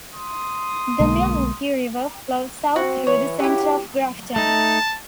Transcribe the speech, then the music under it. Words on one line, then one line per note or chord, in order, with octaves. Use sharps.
The Milwaukee River flows south through the center of Grafton.
C6 D#6
B1 B2 D3 G#3 A#3
C4 F#4
E3 C#5
F#3 E4 G4
A3 D#4 A5